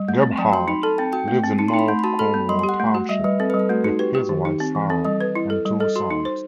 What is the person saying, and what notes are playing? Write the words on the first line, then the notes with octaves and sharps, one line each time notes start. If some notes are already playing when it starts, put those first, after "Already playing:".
Gebhard lives in North Cornwall Township with his wife Sarah and two sons.
Already playing: G3
A3
C4
F#3 G5
F#4 C6
D#4 B5
A4 A5
C4 G5
F#4 G5
A3
C4
D#4 A5
C6
D#4
B5
A3 C6
B5
F#4 A5
A4 B5
B3
G3 C6
C6
G4
F#5
A3
F#4
G3 E5
G3 B4
C4 A4
B4
G3
A4
A3 F#4
D#4 F#4
G4 B4
F#4 G4
D#3
D#4
C4
E3
C4 A4
G3 D#5
B4
E4
A4
G3
A4 D#5
F#4 C6
D#4
C5